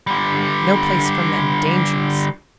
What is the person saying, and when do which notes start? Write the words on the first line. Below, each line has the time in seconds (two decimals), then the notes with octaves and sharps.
No place for men--dangerous.
0.07 D3 G3